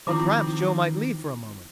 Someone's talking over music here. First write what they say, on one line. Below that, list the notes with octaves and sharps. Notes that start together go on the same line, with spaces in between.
But perhaps Joe might leave for a moment.
D#3 F3 C4 E4 F4 D6